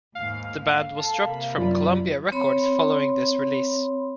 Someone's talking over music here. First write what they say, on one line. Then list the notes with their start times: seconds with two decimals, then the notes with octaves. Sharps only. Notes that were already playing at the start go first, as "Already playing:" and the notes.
The band was dropped from Columbia Records following this release.
0.15 D#2 G#2 F5
0.94 A4
1.24 C3 A#3 B5
1.57 F#2 F4 D5
2.32 C4 C#5 B5 C6